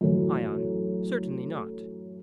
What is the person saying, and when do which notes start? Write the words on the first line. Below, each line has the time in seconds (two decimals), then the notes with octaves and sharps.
ION: Certainly not.
0.01 F#2 A2 E3